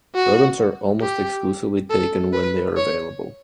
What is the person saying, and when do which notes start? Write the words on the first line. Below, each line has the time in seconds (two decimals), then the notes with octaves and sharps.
Rodents are almost exclusively taken when they are available.
0.15 F#4
1.02 G4
1.90 A4
2.33 B4
2.77 C#5